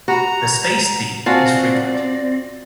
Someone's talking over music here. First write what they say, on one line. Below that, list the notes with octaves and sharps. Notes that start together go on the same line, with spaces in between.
The space theme is frequent.
F#4 G4 A#5 B5
C4 F4 F#4 C5 D5 G#5 A5